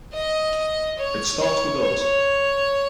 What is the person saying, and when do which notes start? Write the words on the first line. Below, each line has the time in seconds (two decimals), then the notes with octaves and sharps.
It starts with us.
0.13 D#5
0.98 C#5
1.40 C#5
1.82 C#5